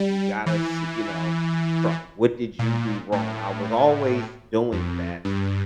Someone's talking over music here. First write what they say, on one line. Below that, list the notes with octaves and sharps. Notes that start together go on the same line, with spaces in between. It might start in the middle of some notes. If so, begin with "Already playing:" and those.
You gotta see" you know, eh, "Try what did you do wrong?" I was always doing that,
Already playing: G3
E3
A#2
A2
F2
G2